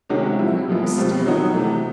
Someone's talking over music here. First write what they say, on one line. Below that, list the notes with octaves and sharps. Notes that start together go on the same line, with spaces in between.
The room was still.
C3 D#3 G#3 C#4 F#4
A#2 G3 C4 E4
A#2 F3 G#3 B3
B2 G3 C4 F4
D#3 F#3 B3 D#4 F#4
C3 E3 A3